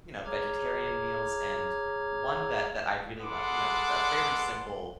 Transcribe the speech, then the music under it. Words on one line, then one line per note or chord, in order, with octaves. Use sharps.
you know, vegetarian meals and one that that I really loved, you know, with a fairly simple,
G#4 C#5 A#5 D6 F6 G#6
G#3 A4 B4 F#5 C6 D6